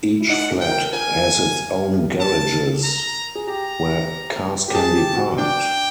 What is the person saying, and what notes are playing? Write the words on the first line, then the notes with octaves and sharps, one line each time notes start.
Each flat has its own garages where cars can be parked.
E4
D#4 F#5
A4
G5
A#4
A#4 G#5
A5
A#5
G#4
G4 A#5
G4
G#4 A5
G4
F#4
D4 G5